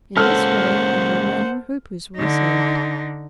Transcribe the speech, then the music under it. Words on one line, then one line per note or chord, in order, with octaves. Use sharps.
In this way the remaining Hoopoes were saved.
G#3 A#3 C#4 A4 C5 F#5 F6
D3 D#4